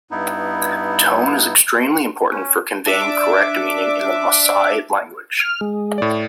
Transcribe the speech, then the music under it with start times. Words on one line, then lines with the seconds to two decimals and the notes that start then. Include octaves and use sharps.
Tone is extremely important for conveying correct meaning in the Maasai language.
0.11 G2 B3 D#4 E4
2.30 C#4
2.86 D4 E5 D6
5.40 F6
5.61 G#3
5.98 A2 D5